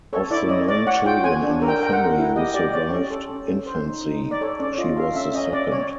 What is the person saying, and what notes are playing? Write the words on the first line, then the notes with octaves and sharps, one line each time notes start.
Of the nine children in her family who survived infancy, she was the second.
A4 C#5
E4 D5
C#5 D#5
C#5 D5
C#5 F#5
F4 G5
C#5 G#5
D4
A#4
G5
A#4 G5
F#5
A#4
E4
G4 D#5
G4 D5
C#5 D5
C#4
A4
C#4
C#4
C5
D#4
D#4
D#4
D5
A4 C#5
C#4 D5
F4 D#5
A4 F5
C#4 E5
C#4 D#5
C#4 D5
C#4 C#5